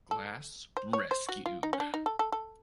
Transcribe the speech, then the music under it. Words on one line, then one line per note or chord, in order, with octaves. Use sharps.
Glass rescued.
A4
C5
C#5
C5
F#4
F4
D#4
C#4
D4
D#4
A4
A4
A4